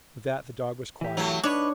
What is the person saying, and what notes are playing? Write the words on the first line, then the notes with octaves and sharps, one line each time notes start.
With that the dog was quieted.
E3 G4
F#3 A3
D4 D#4 B4 C#5